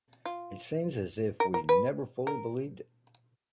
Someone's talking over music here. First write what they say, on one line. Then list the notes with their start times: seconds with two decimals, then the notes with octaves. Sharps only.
It seems as if we never fully believed it.
0.25 F4
1.40 A#4
1.54 A#4
1.69 B4
2.27 A#4